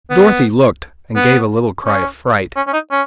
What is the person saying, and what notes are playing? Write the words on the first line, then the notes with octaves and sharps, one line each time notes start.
Dorothy looked, and gave a little cry of fright.
B3
B3
C#4
C#4
C#4
D#4
C#4